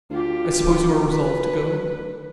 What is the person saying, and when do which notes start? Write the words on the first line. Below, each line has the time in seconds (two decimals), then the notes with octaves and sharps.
I suppose you are resolved to go?
0.11 D2 F4 G4
1.10 B4